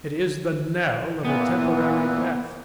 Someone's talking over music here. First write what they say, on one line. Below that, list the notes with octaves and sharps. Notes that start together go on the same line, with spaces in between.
It is the knell of a temporary death.
A#2 E3 B3